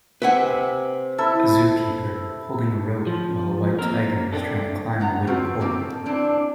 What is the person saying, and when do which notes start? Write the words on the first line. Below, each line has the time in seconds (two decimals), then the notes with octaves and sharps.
A zookeeper holding a rope while a white tiger is trying to climb a wooden pole.
0.22 C3 B4 E5 F#5 G#5
1.18 E4 A4 E5
3.07 F3
3.79 A#3 C4 A#4
4.33 C3 D4 A4
5.00 B3 F#5 A#5
5.27 D#3 F3 C4 F#4 B4 C#5
5.60 B2 E3 A#3 C4
5.80 A4
6.06 E3 C4 D4